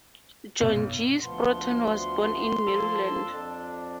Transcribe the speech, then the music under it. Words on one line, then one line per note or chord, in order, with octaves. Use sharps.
John G. Sproston was born in Maryland.
B1
D2 F3 B3 C6
F3 A#3 A4
F2 D4